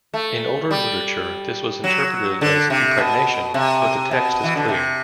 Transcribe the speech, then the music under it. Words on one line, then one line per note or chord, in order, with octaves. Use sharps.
In older literature, this was interpreted as "impregnation", but the text is clear.
A3
G3
F#3
D3
C3
B2
C3
B2
E3
D3
C3